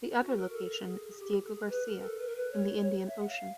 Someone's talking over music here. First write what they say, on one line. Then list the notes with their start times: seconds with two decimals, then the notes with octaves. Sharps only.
The other location is Diego Garcia in the Indian Ocean.
0.19 F#4
0.36 A#4
0.52 A4
0.85 G#4
1.19 G4
1.44 A4
1.51 G#4
1.68 B4
1.85 A#4
2.01 A4
2.18 B4
2.26 A#4
2.35 B4
2.51 C#5
3.06 E5
3.18 F#5
3.28 F5